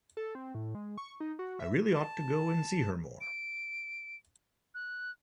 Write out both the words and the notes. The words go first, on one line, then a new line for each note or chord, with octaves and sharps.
I really ought to go and see her more.
A4
C4
A2
G#3
C#6
D#4
F#4
E5
A5
D7
F#6